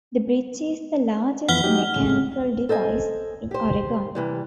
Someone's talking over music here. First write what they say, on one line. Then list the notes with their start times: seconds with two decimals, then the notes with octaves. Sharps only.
The bridge is the largest mechanical device in Oregon.
1.48 F2 E3 B3 F#5 F6 G7
1.63 F#3 D#4 G4
1.96 A2 C#3 G#3
2.69 A4 C5 D#5 G#5
3.51 G4 C5
4.15 C3 E3 G3